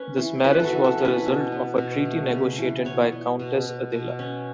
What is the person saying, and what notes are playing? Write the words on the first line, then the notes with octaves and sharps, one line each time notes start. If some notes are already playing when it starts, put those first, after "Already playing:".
This marriage was the result of a treaty negotiated by countess Adela.
Already playing: C#4 B4
E3
E3 B4
F#4 A4
E3
A4
C#4
B4
B2
B3
B2
A3
C#3
E3
B3 C#5
B3
B2
B2
B2
C#4